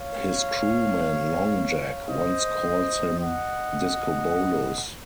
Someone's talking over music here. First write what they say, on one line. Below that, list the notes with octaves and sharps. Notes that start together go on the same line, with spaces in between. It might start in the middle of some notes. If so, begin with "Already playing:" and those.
His crewman 'Long Jack' once calls him "Discobolus".
Already playing: C#5 F5
C5 D#5
D#5 F#5